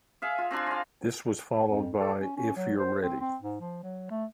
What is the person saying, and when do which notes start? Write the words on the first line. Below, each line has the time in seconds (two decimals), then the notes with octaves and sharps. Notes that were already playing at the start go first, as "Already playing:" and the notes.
This was followed by If You're Ready!
0.22 G#4 E5 F5
0.38 F4
0.51 C4 D4 G#4 C6
0.67 C4 F5
1.68 F2
2.00 A4
2.19 C#4
2.37 C#4
2.56 F#3
2.78 C5
3.02 C4
3.21 C4
3.42 G#2
3.60 F3
3.83 F#3
4.11 A3